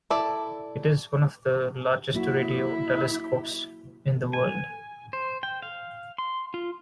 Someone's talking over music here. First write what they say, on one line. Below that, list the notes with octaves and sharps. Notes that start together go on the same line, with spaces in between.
It is one of the largest radio telescopes in the world.
E4 A4 D5
F#3 A#3 E4 F#4
G#5
C5
G5
F5
C6
F4